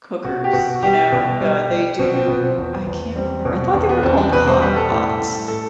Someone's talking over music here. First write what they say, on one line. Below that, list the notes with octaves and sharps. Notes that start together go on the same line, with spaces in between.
cookers, you know? Uh, they do I can't remember. I thought they were called hot pots.
B2 F#4
G4
B2 F#4
G3 G4
B2
G3
G3
B2 C4
C4
B2 B3
C4
E2
E2
G3 C4
B2
E2 D4
B3
E2 C4
D4
B2 B4
C5
G3 B4
A4
A2
A2
A2 A4